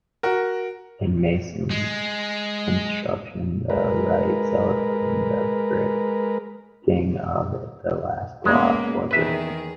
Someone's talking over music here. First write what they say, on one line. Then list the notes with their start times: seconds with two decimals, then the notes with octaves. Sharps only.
In masonry construction the rite celebrates the bedding of the last block or brick.
0.23 F#4 A#4
1.71 G#3
3.70 G#3 A#4 B4
8.45 G#3 A#3 B3 C#4 G#4
9.11 E2 D#3 B3 G#4 B4 E5